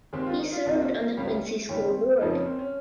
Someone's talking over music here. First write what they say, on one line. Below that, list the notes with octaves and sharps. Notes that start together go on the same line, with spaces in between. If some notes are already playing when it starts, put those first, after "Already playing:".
He served on the Quincy School Board.
D#2 D#3 G#3 C4 G4
F4
D#4
F4
C2 C3 D#3
C#2 C#3 G3 A#3
D#2 C#3 G3 C#4
C4
F2 C#3 F3 A#3 D#4
C#4
C4
C#4